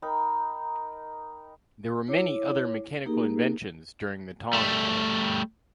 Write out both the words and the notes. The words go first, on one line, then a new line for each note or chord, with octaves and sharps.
There were many other mechanical inventions during the Tang era.
D#4 A#4 G5 B5
E4 C#5 D6
A#3 D#4 G4 G#4 A#4
G3 A3